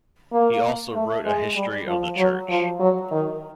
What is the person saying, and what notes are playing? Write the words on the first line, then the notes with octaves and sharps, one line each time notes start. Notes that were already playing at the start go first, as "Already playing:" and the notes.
He also wrote a history of the church.
A#3
A3
G#3
G3
F3
F#3
F3
F#3
D#3